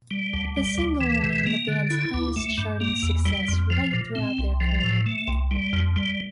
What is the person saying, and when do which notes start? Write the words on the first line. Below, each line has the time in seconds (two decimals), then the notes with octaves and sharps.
The single remained the band's highest charting success right throughout their career.
0.11 G3
0.34 D2
0.56 G3
0.78 D2
1.01 E3
1.23 C3
1.46 A#3
1.68 D3
1.90 E4
2.14 D2
2.36 A3
2.58 G2
2.80 A#3
3.03 E2
3.25 G3
3.48 F2
3.70 F3
3.93 A#2
4.15 C4
4.38 C2
4.60 F3
4.83 A2
5.06 A3
5.28 C2
5.51 G3
5.73 F2
5.96 G3